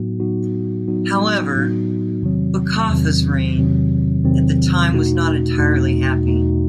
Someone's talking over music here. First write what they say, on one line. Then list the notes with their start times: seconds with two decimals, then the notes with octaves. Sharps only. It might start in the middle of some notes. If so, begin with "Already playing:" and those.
However, Bakaffa's reign at the time was not entirely happy.
Already playing: A2 F#3 B3 D#4 F#4
0.20 A2 F#3 B3 D#4 F#4
0.88 A2 F#3 B3 D#4 F#4
1.55 A2 F#3 B3 D#4 F#4
2.22 E2 C3 D#3 F#3 C4
2.89 E2 C3 D#3 F#3 C4
3.57 E2 C3 D#3 F#3 C4
4.24 E2 C3 D#3 F#3 C4
4.91 E2 B2 A3 D#4 F#4
5.58 E2 B2 A3 D#4 F#4
6.26 E2 B2 A3 D#4 F#4